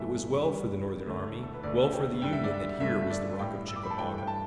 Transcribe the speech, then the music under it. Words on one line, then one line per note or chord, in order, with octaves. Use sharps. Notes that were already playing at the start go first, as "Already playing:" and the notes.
It was well for the Northern army, well for the Union that here was the Rock of Chickamauga.
Already playing: G2 E3 A3 E5
G2 D3 G3
D2 D3 A3
A4
B4
D2 D3 A3 D5
G5
D2 D3 G3 G5
E5
D5
E5
G2 D3 A3 E5
E5
D5
A2 G3 G5
E6
D6
B5
A5
G2 E3 A3 G5
G5
A5